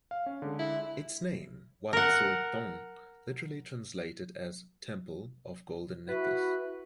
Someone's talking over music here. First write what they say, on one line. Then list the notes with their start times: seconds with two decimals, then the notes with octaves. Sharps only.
Its name "Wat Soi Thong" literally translated as "temple of golden necklace".
0.11 F5
0.26 C#4
0.42 D3 G#3
0.59 E4
1.93 A#4 F#5
6.08 E4 F#4 B4